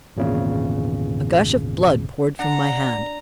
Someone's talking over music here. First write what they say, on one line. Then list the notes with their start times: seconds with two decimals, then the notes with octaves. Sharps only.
A gush of blood poured from my hand.
0.17 G#1 E2 A#2 C#3
2.39 D4 F#5 A#5